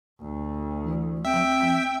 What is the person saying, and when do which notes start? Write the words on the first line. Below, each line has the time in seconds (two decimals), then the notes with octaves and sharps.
Mm, okay.
0.22 D2
1.25 C4 E5 G5